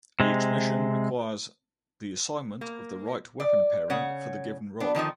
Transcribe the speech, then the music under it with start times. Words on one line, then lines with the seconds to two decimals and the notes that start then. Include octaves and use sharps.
Each mission requires the assignment of the right weapon pairing for the given role.
0.20 C3 G#3
2.61 A#3
3.40 D5
3.90 C#3 C#5 F#5
4.80 B3 D4
4.95 D3 D#3 F3 D#4